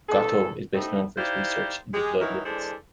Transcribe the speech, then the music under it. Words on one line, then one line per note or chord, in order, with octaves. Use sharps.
Gotto is best known for his research into blood lipids.
E2 A4
D3 A3 B3 C4 D#4
D#4 E4 G4 C5 D5 F5
G#3 G4 G#4
D#3 E3 F#3 D#4 E4 A#4
E3 G#3 D4 A4 C5 D5